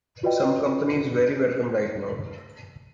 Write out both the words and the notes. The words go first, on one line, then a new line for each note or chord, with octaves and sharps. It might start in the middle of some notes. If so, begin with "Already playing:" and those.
Some company is very welcome right now.
F4 F#4 B4 D5 D#5 G5